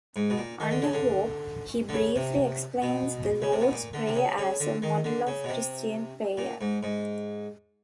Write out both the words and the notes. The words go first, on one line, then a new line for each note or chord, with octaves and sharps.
Under Hope, he briefly explains the Lord's Prayer as a model of Christian prayer.
G#2
B2
A#2
D#3
D3
C#3
D3
D3
C#3
C3
B2
C#3
C3
B2
A#2
D3
C3
C#3
C#3
D3
D#3
D3
C#3
B2
C3
A#2
G#2
G#2